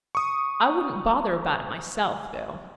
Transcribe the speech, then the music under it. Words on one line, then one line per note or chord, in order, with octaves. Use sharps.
I wouldn't bother about it myself, though.
C#6 D#6